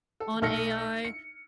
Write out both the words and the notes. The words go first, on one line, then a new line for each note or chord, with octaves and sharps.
on AI,
A4
B1 A3 A4 F6 A#6 C#7
C#7